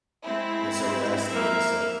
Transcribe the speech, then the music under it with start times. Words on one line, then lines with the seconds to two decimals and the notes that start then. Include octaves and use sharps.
And so the last lady said
0.24 G#3 C4 E4
1.28 A#3 E5